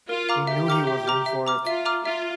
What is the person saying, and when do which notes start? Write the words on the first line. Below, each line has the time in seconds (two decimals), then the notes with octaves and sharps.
He knew he was in for it.
0.09 F4 A#4
0.29 F5 A#5 D6 F6
0.47 G4 E5
0.68 A#5 D6 F6
0.87 E5
1.07 A#5 D6 F6
1.26 E5
1.47 A#5 D6 F6
1.66 F4 E5
1.85 A#5 D6 F6
2.05 F4 E5